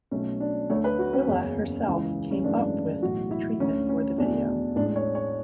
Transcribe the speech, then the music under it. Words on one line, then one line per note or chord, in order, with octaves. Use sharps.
Willa herself came up with the treatment for the video.
B1 B2 A3 C#4
D4
D2 D3 A3 C#5
B4
F#4
C#4
F#1 E2 C#3
C#2 C#3 E3
C#4
G#1 F#2 C#3 E3 A3 D4
B1 A2 E3 F#4
E4
D2 D3 A3 C#4
C#4
E2 B2 A3 D4
A1 A2 G#3 D4
C#5
C#5